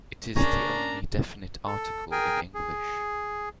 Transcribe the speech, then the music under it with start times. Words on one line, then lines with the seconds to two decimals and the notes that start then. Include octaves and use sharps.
It is the only definite article in English.
0.36 C#3 A#3 C#4 D4 A#5
1.67 A4
2.12 G#4 A#4 G5 G#5
2.55 G#4